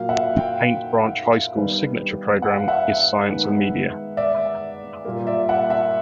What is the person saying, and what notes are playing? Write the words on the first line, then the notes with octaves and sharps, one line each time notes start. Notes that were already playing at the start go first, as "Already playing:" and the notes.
Paint Branch High School's signature program is Science and Media.
Already playing: A#2 F#3 A#3 F5
E5 F#5
F5 G5
D#3 G3 B3
F#5
F5
E5 F#5
D#3 G#3 B3
D5 E5
A#2 G3 A#3
D5 E5
E5 F#5
E5 F#5